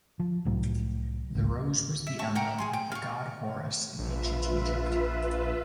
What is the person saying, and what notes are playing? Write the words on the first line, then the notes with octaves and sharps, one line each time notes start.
The rose was the emblem of the god Horus in ancient Egypt.
F3
C2 A2 F#3
G#1 C#2
E5
E5 A5 C#6
A#4 F#5 G5 A#5
G#4 G#5 C6
G5
F5 C#6
A#1 F4 B4 E5